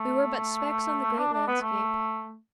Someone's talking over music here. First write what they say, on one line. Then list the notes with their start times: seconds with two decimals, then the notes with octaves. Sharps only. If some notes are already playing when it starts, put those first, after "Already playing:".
We were but specks on the great landscape.
Already playing: A3
1.18 D4
1.33 D4
1.48 B3
1.62 A3